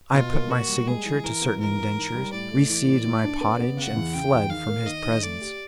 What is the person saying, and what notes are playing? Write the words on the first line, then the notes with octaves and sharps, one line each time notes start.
I put my signature to certain indentures, received my pottage, and fled from his presence.
B2 F4
A#3
A#3 F#4
G3
G#3 G#4
E3
E3 A#4
B3
E3 A#4
E3
G#2
G3
A2 D5
A3
E3
A2
A2
D4
B3
B3
C#3 F#5
E2
C#3 G5
E2
D#3 F5
A#3
D#3 D#5
D#3
A3 D5
G4